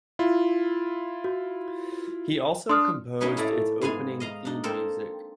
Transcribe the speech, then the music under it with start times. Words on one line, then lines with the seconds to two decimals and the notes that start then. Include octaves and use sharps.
He also composed its opening theme music.
0.19 E4 F4
1.24 F#4
2.69 D4 C6 D#6 F6
3.21 A#3 C#4 D#4 B4 C#5
3.37 A2 A3 E4 D5 A#5
3.81 G#2 B3 G#4 F5 G#5
4.20 D#5 F5 A#5
4.45 D4 D#4
4.64 A#3 C4 A4 A#4